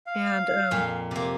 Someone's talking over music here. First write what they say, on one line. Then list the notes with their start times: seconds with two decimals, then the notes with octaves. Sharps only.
and, um,
0.07 F5
0.71 F2 A#2
1.11 C3 A#3